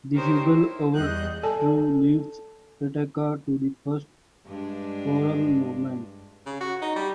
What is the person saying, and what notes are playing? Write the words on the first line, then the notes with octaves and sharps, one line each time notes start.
The fugal overture leads attacca to the first choral movement.
D4 D#4 G4 A#4 C5 C#5
E4
E2 G3 G#4 D#5 F#6 G6
A4 D5 G#5 A5
G2 G#3 D4
C#3
F#4
D#4
G3